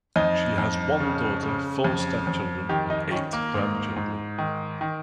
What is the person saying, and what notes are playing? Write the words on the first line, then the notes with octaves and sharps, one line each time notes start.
She has one daughter, four stepchildren and eight grandchildren.
F2 D#4
F2
C#3
C#3
F2
F2
D#3 G4
D#4
D#3 C#4
A#3
G#2
G#2
D#3
D#3